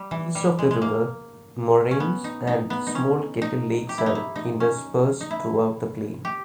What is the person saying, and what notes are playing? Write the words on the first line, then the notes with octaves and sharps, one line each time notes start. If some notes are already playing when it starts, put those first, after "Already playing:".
East of the river, moraines and small kettle lakes are interspersed throughout the plain.
Already playing: G3
E3
G3
G#3
G#3
A#3
C#4
B3
D#4
D#4
B3
D#4
C#4
D#4
G4
E4
D#4
E4
D#4
C#4
D#4
E4
G4